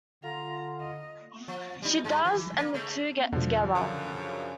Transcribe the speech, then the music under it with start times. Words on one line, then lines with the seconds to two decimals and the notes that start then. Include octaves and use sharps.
She does, and the two get together.
0.24 D3 F4 A#5
0.80 D#5
1.48 F3
1.82 G3 D#4
2.04 G2 G#3
2.25 E3
2.58 A#3
2.74 C#3 G#3 A3
3.32 E2 B2 D3 F3
3.74 F#2 C#3